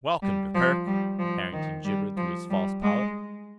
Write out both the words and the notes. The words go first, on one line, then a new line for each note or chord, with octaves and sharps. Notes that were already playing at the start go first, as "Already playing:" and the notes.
"Welcome, Gurgurk," Harrington gibbered through his false palate.
G3
F3
G3
F3
D#3
G3
F3
G3
G#3